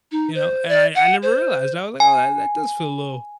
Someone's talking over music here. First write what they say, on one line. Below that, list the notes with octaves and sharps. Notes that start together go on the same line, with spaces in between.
You know? And I I never realized. I was like, "Oh, that does feel a li'l
D#4
C5
D5
F#5
C5
G#5